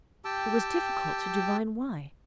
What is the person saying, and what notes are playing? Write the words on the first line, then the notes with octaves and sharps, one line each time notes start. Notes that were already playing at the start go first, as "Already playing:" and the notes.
It was difficult to divine why.
G4 G5 A5 E6